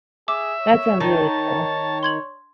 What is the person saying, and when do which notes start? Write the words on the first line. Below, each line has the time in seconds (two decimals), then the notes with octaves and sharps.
that sounds really cool.
0.28 G#4 E5 D6
0.61 C#5
1.00 D#3 A5
2.03 C6 G#6 F#7